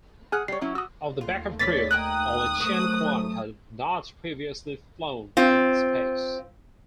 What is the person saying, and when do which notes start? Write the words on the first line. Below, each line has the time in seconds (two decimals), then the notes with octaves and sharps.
Of the back-up crew, only Chen Quan had not previously flown in space.
0.32 G#4 F#5 G#5 F6 F#6
0.48 G3 C#5 C7
0.61 F#3 C#4 E4
0.75 F#4 D#6 E6
1.21 D#2 A3 F4
1.59 E3 C#4 D5 A6 B6
1.91 D#4 G5 G#5 D#6 F#6
2.60 F#3 A3 F#4 A#4 C5
5.37 C4 F4